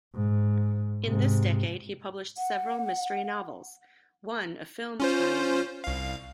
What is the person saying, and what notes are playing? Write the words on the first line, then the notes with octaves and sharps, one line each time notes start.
In this decade he published several mystery novels, one a film tie-in.
G#2
G#2 C3
F#5
C#4 F4 C5
C2 F5